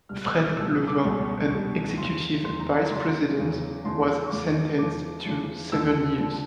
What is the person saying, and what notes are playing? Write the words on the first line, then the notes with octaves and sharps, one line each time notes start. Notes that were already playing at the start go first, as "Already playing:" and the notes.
Fred Levin, an executive vice president, was sentenced to seven years.
C#2 B2 G3 F6
F#6
F6
F6
C#2 B2 G3 E6
D#6
D6
C#2 B2 G3 C#6
C#2 B2 G3
E2 C#3 F#3 C6
E2 C#3 F#3 C6
A#5
A#5
E2 C#3 F#3 C6
E2 C#3 F#3
E2 C#3 F3 C6
C#6
E2 C#3 F3 D6
E2 C#3 F3 D6
E2 C#3 F3
D#2 D3 F3 E6
D3 F3